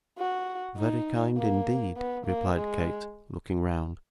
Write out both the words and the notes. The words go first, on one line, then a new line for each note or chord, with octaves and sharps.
'Very kind, indeed,' replied Kate, looking round.
F#4
D#4
A#3
B3
A#3
G#3